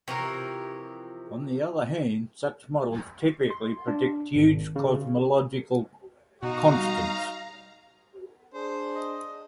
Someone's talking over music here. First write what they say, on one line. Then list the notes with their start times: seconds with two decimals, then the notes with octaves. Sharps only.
On the other hand, such models typically predict huge cosmological constants.
0.08 C3 E3 F3 A#4 C#5
3.50 C6
3.88 D4
4.35 G#1
4.76 C#3
6.42 B2 D#4 F#4 F5 A#5
6.76 G3
8.54 D4 G#4 C5
8.96 D#5